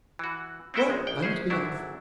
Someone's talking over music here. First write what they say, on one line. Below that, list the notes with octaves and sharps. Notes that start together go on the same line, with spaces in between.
Well, I must be off.
E3 F#4
C4 C#4 E4 F#4 E5 G5
A#1 G#3
A#1 G5
A#1 C#4 G#4 C5
G#1 D2 F#3 D4 E4